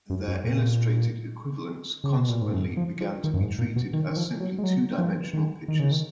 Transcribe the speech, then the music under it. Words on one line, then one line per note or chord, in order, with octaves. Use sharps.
Their illustrated equivalents consequently began to be treated as simply two-dimensional pictures.
F#2
F#2
A#2
C#3
B2
A#2
G#2
F#2
F3
F3
D#3
F#2
G#2
A#2
B2
D#3
D#3
F3
F#3
G#3
F#3
F3
D#3
D#3
C#3
D#3